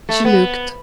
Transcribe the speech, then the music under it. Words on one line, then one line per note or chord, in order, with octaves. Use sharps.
She looked.
A3
B3